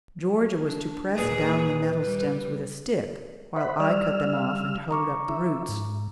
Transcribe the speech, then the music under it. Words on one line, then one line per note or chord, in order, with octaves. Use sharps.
Georgia was to press down the nettle stems with a stick, while I cut them off and hoed up the roots.
D4
D#2 A#2 G#4 B4
G3
C5 E5 F#5 B5
G3 D5 E6 F6
F5
A#5 C#6 D6
E4 E5
G#2